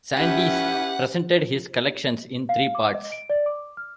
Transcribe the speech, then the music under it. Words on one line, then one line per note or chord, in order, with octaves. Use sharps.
Sandys presented his collections in three parts.
C#4 E4 G4 B4 F#5
F5
D6
D#5
D7
D5
D6
F6